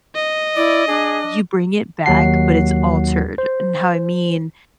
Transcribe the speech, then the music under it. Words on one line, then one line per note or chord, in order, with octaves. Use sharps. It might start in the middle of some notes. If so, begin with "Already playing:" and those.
you bring it back, but it's altered, and how I mean,
D#5
E4 D5
D4 G#4
D#2 F#3 F#4 F#5 C7
C5